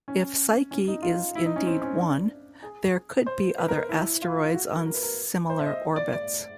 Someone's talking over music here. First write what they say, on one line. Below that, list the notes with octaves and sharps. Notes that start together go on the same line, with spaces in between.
If Psyche is indeed one, there could be other asteroids on similar orbits.
C#4
C#4
D#4
F4
E4
D#4
C#4
C4
C#4
D4
G#4
C5
B4
A#4
E4
F4
F#4
A#4
A#4
B4
A#4
C5
E5
D#5
D5
D5